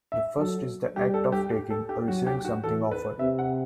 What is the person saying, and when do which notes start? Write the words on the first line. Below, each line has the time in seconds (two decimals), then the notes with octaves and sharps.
The first is the act of taking or receiving something offered.
0.12 E5
0.39 F#3 A4
0.96 G3 G4
1.14 A4
1.32 G4
1.51 G4
1.70 A4
1.89 G4
2.07 F#3 F#4
2.27 G4
2.45 F#4
2.64 E3 A4
2.91 B4
3.19 C3 E5
3.39 F#5